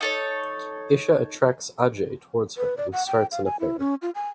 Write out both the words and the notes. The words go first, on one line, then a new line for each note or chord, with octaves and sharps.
Isha attracts Ajay towards her and starts an affair.
D#4 A4 C#5
B4
D5
F#5
G5
F5
G#5
E4
C#4
F4
G#5